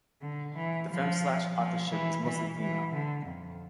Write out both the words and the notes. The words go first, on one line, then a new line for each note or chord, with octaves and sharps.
The femslash authorship is mostly female.
D3
E3
F3
F3
E3
E3
E3
D3
F2